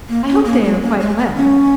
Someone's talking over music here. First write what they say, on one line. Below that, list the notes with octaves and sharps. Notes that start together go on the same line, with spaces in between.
I hope they are quite well.
A#3
C#4
A#3
G#3
A#3
G#3
A#3
C#4